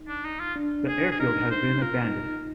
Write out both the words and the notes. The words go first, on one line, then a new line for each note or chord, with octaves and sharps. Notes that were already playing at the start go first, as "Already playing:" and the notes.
The airfield has been abandoned.
Already playing: D#4
D4
D#4
F4
D4
G#4
G#4
D#4 A#4
C5
F4 A#4
D#4